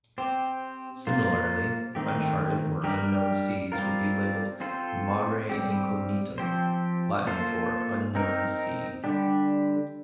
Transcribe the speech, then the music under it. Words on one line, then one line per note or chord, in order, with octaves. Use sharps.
Similarly, uncharted or unknown seas would be labeled mare incognitum, Latin for "unknown sea".
C4 G4 C5
A#3 F4 C5
D#3 A3 C4 G4
G3 D4 G4 A#4
G3 C4 F4 A#4
C4 F4 A4 C5
G3 C4 G4
F3 C4 G4 C5
A#3 F4 A4 C5
C4 D#4 A#4
D3 G3 D4 G4